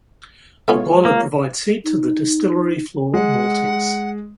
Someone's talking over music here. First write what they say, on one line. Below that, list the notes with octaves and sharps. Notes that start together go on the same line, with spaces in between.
The boiler provides heat to the distillery floor maltings.
G#3 A3 B3 C#4 F4 C#5
A#3
D#4
G#3 F#5